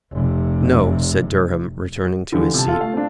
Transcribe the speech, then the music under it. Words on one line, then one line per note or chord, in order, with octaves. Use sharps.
"No," said Durham, returning to his seat.
F1 C3
D3 E3 F3 G3 G4
C3 A5
F4 A4
A3 F5
C4 D4